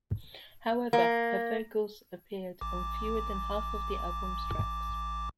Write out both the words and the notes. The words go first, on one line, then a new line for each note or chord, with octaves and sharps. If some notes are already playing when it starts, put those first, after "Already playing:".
However, her vocals appeared on fewer than half of the album's tracks.
A#3
A1 D6